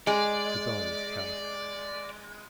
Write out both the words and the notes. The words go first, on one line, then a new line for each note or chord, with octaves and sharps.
The die is cast.
G#3 D5